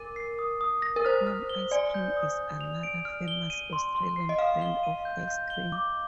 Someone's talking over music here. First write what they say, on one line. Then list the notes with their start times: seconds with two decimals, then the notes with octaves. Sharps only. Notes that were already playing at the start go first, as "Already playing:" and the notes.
Home Ice Cream is another famous Australian brand of ice cream.
Already playing: A#4 D6 D#7
0.16 C7
0.39 D#6
0.61 D#6
0.82 A#6
0.96 A#4
1.05 C5 F6
1.27 F6
1.50 G7
1.71 D5 G#5
1.94 G6
2.17 D#6
2.39 G6
2.61 F7
2.83 D7
3.05 F6
3.28 G7
3.50 D#7
3.73 C6
3.95 C6
4.16 C7
4.29 D#5
4.38 F5 F6
4.62 G7
4.83 D#7
5.05 G6
5.28 G6
5.50 G7
5.72 D6